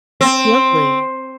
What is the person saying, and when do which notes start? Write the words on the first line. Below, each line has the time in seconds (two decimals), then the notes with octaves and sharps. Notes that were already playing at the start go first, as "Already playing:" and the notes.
That's lovely.
0.21 C4